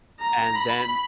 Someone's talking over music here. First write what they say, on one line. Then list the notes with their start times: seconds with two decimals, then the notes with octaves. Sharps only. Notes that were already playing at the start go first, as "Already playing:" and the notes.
and then
0.21 A#5
0.56 B5